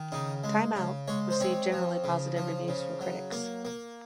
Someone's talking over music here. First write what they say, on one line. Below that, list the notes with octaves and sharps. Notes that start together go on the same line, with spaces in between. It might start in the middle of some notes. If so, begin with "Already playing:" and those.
"Time Out" received generally positive reviews from critics.
Already playing: D#3
C#3 D#4
G#3
C#3
G#3 C#5
C5
C4 C#5
F3
C#3
F3
C#3
F#3
A#3
A#3